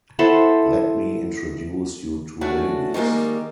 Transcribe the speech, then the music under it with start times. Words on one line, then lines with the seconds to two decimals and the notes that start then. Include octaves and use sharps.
Let me introduce you two ladies.
0.19 B3 E4 A4 C5
2.41 A3 C#4 D4 F#4
2.94 D#3 G3 G#3 A#3